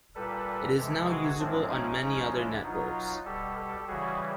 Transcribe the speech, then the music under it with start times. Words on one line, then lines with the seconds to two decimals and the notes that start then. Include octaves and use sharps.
It is now usable on many other networks.
0.15 A#2 G3 A4 B4
0.77 C3 E3 G#3 G4 A4
1.08 F#4 G#4
1.39 A2 F3 G#3 C4 D4
1.71 C#4 D#4
2.01 C#3 F3 G#3 C#4 D#4
2.32 D4 E4
2.63 B2 F#3 D#4 F4
3.25 B2 G3 G4 A4
3.57 G4 A4
3.88 C#3 E3 G3 F#4 G#4